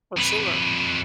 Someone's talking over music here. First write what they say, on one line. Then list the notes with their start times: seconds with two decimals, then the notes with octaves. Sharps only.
For sure.
0.17 F2 B4